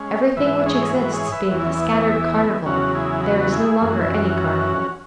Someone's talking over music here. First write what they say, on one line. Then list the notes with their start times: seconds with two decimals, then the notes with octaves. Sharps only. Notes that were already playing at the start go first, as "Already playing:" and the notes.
Everything which exists being a scattered Carnival, there is no longer any Carnival.
Already playing: G#3 C#4
0.37 G#2 E3 B4 E5
0.66 G#4 C#5
0.94 F#4 B4
1.13 G#4 C#5
1.32 B4 E5
1.51 E2 E3 F#4
1.59 E4
1.67 C#4
1.75 B3 E4
2.66 E2 C#3 F#3 C#4 F#4
2.95 E4 G#4
3.23 F#4 B4
3.52 E4 G#4
3.81 F#2 E3 G#4
3.90 F#4
4.00 E4
4.08 C#4 F#4